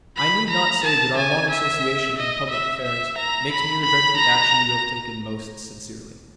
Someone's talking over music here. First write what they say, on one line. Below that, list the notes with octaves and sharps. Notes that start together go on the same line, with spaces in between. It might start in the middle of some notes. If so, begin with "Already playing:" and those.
I need not say that our long association in public affairs makes me regret the action you have taken most sincerely.
B5
A#5
A5
G#5
E5
D#5
E5
E5
A#5
B5
B5
A#5